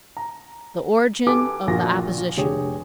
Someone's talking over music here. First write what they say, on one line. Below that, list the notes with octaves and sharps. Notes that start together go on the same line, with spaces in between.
The Origin of the Opposition.
A#5
G4 A4 B4 G#5 D6
A#1 A#2 F4 F#4 A#6
F1 D3 G4 G#4 C#5